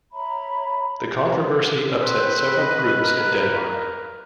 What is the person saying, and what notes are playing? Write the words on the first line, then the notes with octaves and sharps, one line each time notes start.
The controversy upset several groups in Denmark.
C#5 E5 A#5 B5
C4 B4
D#5
A#4